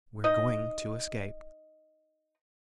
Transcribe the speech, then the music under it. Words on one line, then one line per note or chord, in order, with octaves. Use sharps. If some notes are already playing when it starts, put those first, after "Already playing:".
"We're going to escape!"
D#4 D#5